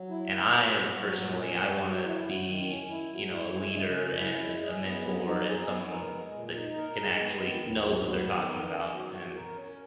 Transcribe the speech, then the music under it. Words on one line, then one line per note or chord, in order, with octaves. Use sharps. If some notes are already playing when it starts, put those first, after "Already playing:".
and, I personally, I wanna be, you know, a leader, and a mentor, and someone that c can actually knows what they're talking about and
Already playing: F#3
E4
A#4
B3
F#4
F#3
A#2
C#4
F#4
F#3
E4
F#3
D#3
C#4
E4
F#3
E4
G#3
C#3
C#4
E4
G#3
G#4
B3
F#3
D#4
G#4
B3
A#4
G#3
A#2
D#4
A#4
G#3
B3
D#3
D#2
F#3
B3
D#3
A#4
C#4
F#3
F#4
A#4
C#4